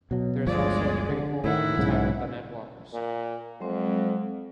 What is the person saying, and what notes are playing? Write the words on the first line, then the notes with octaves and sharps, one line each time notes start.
There's also a prequel, entitled the "'NetWalkers".
B2 F#3
G1 D2 F3 G#3 D5
D3
A2 D#3 E4 F#5
B1 G#2 C#3
A#2
F2 F#3 G#3 C4